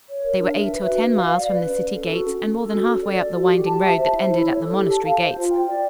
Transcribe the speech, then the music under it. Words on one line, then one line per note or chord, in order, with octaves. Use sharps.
They were eight or ten miles from the city gates and more than half way up the winding road that ended at the monastery gates.
C#5
A#4
D4
E5
B4
F#4
F#4
F5
D5
B4
C#4
C#4
A4
F#4
C#4
C#4
A4
F#4
C#4
D5
A4
F#4
G4
A5
E5
C5
E4
E4
C#5
A4
G4
A5
F5
C5
F4
G5
D5